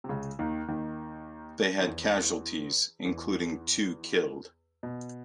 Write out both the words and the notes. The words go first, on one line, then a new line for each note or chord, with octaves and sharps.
They had casualties, including two killed.
C3
C#2 C#3
D#2 D#3
D#2 D#3
D#3
E2 E3
E2 E3
B2